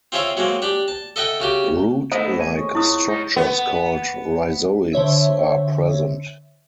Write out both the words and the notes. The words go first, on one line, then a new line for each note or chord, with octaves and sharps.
Root like structures called rhizoids are present.
C4 F4 G#4 C#5 E5 F5
F#3 G#3 A#3 C4
D4 G4 D5
A5
A4 D#5 E5 F#5 G5
C#3 F#4 G4
A3 B3 D#4 E4 A4 C5 D#5
G#5
G#4 C#5 C#6
F2 F3 E4 D#6
G3 D#4
B3
D3 C5 C#5 E5